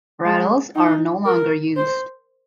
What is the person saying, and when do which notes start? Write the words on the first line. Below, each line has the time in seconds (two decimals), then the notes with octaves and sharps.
Rattles are no longer used.
0.25 G#3
0.76 D#4
1.26 A#4
1.77 C5